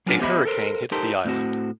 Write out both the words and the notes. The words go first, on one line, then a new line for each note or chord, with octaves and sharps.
A hurricane hits the island.
F#3 B3 C#4 D4 F4
B3 G4 C5 D#5 E5 B5
A4 A#4 C5
D#4 G4 A4 A#4 C5
A2 C4 F#4